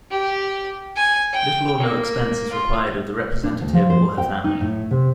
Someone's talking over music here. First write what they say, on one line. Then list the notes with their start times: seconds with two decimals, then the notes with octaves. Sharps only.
Little or no expense is required of the representative or her family.
0.11 G4
0.96 G#5
1.33 G5
1.80 A#3
2.52 F4
3.43 D4
3.61 D2
3.73 F3
3.90 C5
4.18 G5
4.44 D#4
4.61 A2
4.91 C3